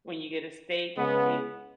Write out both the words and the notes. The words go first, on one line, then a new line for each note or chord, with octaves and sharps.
when you get a steak, it
C#3 G#3 B3